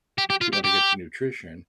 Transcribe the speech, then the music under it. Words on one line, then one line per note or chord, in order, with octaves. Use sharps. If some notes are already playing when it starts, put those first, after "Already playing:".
you wanna get the nutrition;
G4
G4
F4
G4
G4